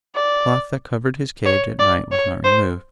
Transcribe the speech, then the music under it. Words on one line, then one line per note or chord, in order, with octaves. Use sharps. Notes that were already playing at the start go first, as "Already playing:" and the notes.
The cloth that covered his cage at night was not removed.
D5
C#5
D5
C#5
C5